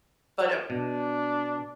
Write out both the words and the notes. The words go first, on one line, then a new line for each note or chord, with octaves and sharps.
But, um
B2 D4